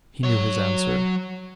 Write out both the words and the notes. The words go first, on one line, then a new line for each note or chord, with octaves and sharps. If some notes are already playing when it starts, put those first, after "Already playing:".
He knew his answer.
F#3 C#5